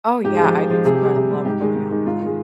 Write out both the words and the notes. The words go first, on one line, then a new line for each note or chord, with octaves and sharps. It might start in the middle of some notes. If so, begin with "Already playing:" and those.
Oh, yeah. I do too. I love going outside.
G#2 G4
G#4
F3 G#3 G4
G#2
F3 G#3
C3 G#4
G4
G3 G#4
C3
G3
G#2 G4
D#3 G#3
G#2
D#3 G#3
G#2 F4
D#3
G#3